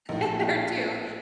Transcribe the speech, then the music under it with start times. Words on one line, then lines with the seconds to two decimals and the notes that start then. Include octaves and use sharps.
in there too.
0.09 A#1 A2 A#3 D#4